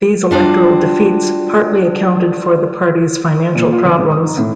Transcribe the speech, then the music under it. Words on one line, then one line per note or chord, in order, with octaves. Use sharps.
These electoral defeats partly accounted for the party's financial problems.
G3 D4 F4 F#4
A#2
F4
G1
G#2
D#6
D#4
A2